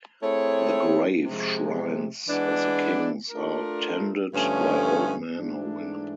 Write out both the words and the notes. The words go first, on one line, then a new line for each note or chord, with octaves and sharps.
The grave-shrines of the kings are tended by old men or women.
A3 C4 E4 G#4 C#5
C3 F3 G#3
E3 G#3 B3 D4
A3 D4 F4 A#4
G2 D3 F3 A3 C#4
G#2 E3 A3 D4